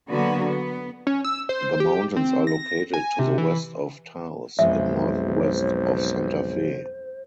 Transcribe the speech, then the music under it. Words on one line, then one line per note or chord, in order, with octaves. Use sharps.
The mountains are located to the west of Taos and northwest of Santa Fe.
D3 F#3 A#3 B3 F#4
B3
C#4
E6
C5
G4
C4
A#6
G#5
C3
E3
B1 F2 G#3 G#4 C5 E5